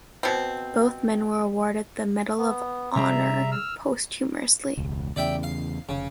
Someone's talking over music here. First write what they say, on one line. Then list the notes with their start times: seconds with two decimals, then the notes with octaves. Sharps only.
Both men were awarded the Medal of Honor, posthumously.
0.23 B2 C4
2.38 B3
2.96 C3 G3 G#4 E5 A#5
3.52 E6 F6
4.77 E1 C#2
5.16 E2 C#3 D5 E5 G5
5.43 F5
5.89 F1 C#3